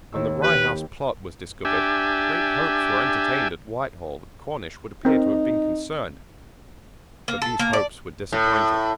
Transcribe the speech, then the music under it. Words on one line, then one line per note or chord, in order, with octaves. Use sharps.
When the Rye House plot was discovered, great hopes were entertained at Whitehall that Cornish would appear to have been concerned: but these hopes were disappointed.
D#2 D#3 E6
G4 B4
D4 G4 E5 G#5
C4 D#4 A#4
A#3
A4
A#3
D5
A2